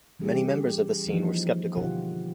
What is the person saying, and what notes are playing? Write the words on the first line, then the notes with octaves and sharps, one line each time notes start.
Many members of the scene were skeptical.
E3 G3 C#4 G4 G#4
E3 F3 A#3 D#4
B2 D3 F4 G4 F#5